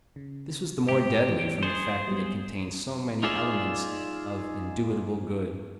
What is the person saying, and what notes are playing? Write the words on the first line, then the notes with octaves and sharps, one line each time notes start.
This was the more deadly from the fact that it contained so many elements of indubitable good.
C#3
G#2 C3 G4
E3
G#4 C5 A6 C7 C#7
F#3 G3 B3
D#4 F4 G#4 D5 E5